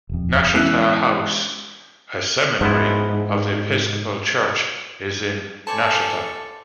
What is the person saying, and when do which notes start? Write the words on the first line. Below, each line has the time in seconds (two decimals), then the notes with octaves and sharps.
Nashotah House, a seminary of The Episcopal Church, is in Nashotah.
0.09 D#1 F2
0.54 E3 G#3 B3 C#4 E6 F#6
2.61 G#2 F3 B3 E4
5.67 A4 C5 D5 G#5 A5 C#6